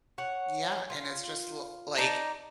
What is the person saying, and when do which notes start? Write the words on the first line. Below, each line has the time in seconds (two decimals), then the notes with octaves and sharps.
Yeah, and it's just l like,
0.18 C#5 F#5
0.90 F4
1.98 D#4 D5 A5